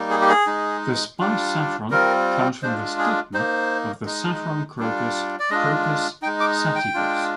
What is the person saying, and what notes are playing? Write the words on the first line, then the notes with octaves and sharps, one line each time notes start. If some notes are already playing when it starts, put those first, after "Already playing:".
The spice saffron comes from the stigma of the saffron crocus, "Crocus sativus".
Already playing: G3 A#3 D#4
G#4
G4
G#4
G#3 D#4
G3 D4 F4
G3 C4 F4 A#4
G#3 D4 F4 C5
G#4
A#3 D#4 C5
G#3 D#4
G3 D4 F4
D5
G#3 D4 F4 D#5
G#3 D#4 G5
D6
G5
G#3 D4 F4